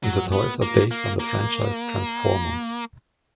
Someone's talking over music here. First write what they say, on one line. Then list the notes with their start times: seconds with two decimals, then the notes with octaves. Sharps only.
The toys are based on the franchise Transformers.
0.04 F#3
0.32 B3
0.62 A#3
0.91 A#3
1.20 A#3